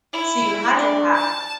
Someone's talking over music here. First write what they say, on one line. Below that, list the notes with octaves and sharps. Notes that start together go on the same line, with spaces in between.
so you had to have
E4
D4
A5